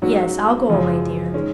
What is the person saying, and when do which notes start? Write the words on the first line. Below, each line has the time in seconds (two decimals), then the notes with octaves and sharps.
'Yes, I'll go away, dear.
0.02 G#2 F#3 C#4 F#4
0.68 F#2 C#3 F3 G#3
1.34 D#3 G#3 C#4